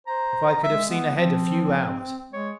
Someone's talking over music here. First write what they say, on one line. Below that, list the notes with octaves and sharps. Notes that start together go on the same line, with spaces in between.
If I could have seen ahead a few hours!
C5 A#5
G#3 E5
B3
F3 C4
G#3 C#5